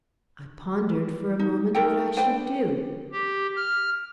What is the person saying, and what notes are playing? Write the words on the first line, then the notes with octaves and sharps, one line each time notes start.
I pondered for a moment what I should do!
D#4
D#4 A4 A#4 G5
D4 B4 C5 G5
G4
F6